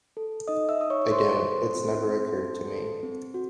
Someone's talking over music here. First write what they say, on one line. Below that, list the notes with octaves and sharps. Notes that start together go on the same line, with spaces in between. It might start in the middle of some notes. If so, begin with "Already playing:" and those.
I don't, it's never occurred to me.
A4
D#4 D#5 D#6
E5 E6
D#4 D#6
C#5 C#6
C#6
A4 C5 C6
A4
C4
C4
A4
A4
C4
F#4